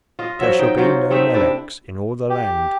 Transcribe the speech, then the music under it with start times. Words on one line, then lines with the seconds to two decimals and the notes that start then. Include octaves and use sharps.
There shall be no Meleks in all the land.
0.19 F4 D#5
0.39 F3 F#3 E5
0.59 D#4 G5
0.78 F#3 F4 C5
1.10 A3 C4 D#4 E5
1.34 C3 D4 E4 D5
2.30 G4